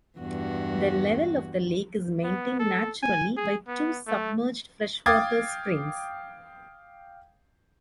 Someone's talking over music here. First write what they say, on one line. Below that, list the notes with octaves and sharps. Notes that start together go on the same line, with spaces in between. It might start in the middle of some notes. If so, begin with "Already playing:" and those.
The level of the lake is maintained naturally by two submerged freshwater springs.
E2 G2 F#4
B3
A4
G#5
G#4
B3
A3
F5 G5 D6 D#6 G#6 A6